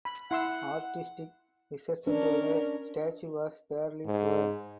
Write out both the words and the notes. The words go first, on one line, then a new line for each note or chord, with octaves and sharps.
Artistic reception to the statue was fairly poor.
B5
E4 F#5 C6 E6
C#4 D4 A#4
G#2